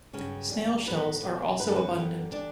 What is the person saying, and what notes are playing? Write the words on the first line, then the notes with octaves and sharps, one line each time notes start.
Snail shells are also abundant.
G2 C#3 F#3 C#4
F#2 C#3 E3 G3
A2 F#3 B3 B4
E2 B2 F#3
F#2 C#3 F#3 B4
A4
B3 B4
F#2 D3 G3
E3 G3 D4 D5